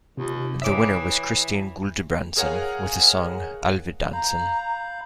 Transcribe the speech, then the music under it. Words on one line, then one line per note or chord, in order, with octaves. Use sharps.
The winner was Christine Guldbrandsen with the song "Alvedansen".
D#2 C3 F4
E3 C#5 E5 D6 D#6
G#4 A#4 C#5 F5 F#5 G#5
F5 A#5 B5 G6